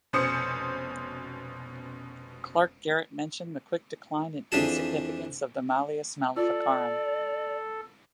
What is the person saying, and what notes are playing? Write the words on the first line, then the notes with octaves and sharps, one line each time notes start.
Clarke Garrett mentioned the quick decline and insignificance of the "Malleus Maleficarum".
F1 B2 C#4 C5 D#6 C#7
F2 E3 D4 G4 G#4 A5
F4 A4 D5